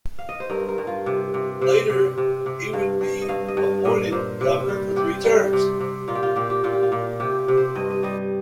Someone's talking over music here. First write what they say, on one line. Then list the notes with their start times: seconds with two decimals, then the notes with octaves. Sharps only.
Later he would be appointed Governor for three terms.
0.19 F5
0.29 D#5
0.40 C5
0.50 G2 A#4
0.68 A#4
0.78 G2
0.87 F4
1.06 C3
1.34 C3
1.61 C3 C5
1.90 C3
2.18 C3
2.46 C3
2.73 G2 F5
3.01 G2
3.22 D#5
3.28 G2 F5
3.48 D#5
3.57 G2
3.85 A#2 D#5
4.12 A#2 C5
4.41 C3
4.69 G3
4.96 C3 G4
5.24 G3
5.53 C3
5.80 C3
6.08 A#2 F4
6.15 G4
6.23 F4
6.36 A#2 G4
6.50 G4
6.64 A#2 F4
6.73 G4
6.83 F4
6.92 A#2
7.20 C3 G4
7.39 G4
7.48 C3
7.57 C5
7.75 G2 D#5
7.90 D#5
8.03 G3 D#5